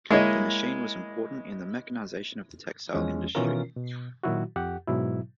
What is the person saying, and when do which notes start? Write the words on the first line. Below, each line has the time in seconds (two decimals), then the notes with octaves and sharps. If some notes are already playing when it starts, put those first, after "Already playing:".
The machine was important in the mechanization of the textile industry.
0.10 G#3 A#3 E4 C#5 D#5
2.94 E2 F3 G#3 C#4
3.35 B2 D#3 E3 C#4 F4 A#4
3.76 B2
4.23 A#2 D#3 F#3 E4 F#4
4.56 F2 G4 F#5
4.88 G#2 B2 F#3 E4